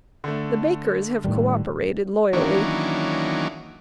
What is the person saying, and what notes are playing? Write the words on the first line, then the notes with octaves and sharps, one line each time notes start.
The bakers have co-operated loyally.
D3 A3
A2 D#3 G3
D#3 E3 F#3 A#3 C#4 D4